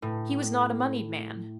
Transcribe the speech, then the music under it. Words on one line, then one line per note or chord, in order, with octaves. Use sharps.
He was not a moneyed man.
A2